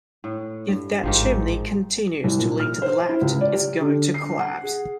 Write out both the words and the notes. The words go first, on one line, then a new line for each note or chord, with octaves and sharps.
If that chimney continues to lean to the left, it's going to collapse.
A2
G2
A1 G#2 D#3 F3
C2
A#2
F6
C5
E4
C#2
D5
G4
D3
C7
F#5
G#4